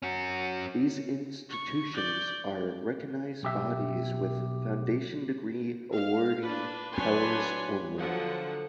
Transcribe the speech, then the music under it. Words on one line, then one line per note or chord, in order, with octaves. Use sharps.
These institutions are recognised bodies with foundation degree awarding powers only.
C#4 F#4
C#6
D5 G6
B1 G4 E5
F5
D4 B4
F#3 D4 B4 C#5 G#5 C6
D3 F3 F#3 F#5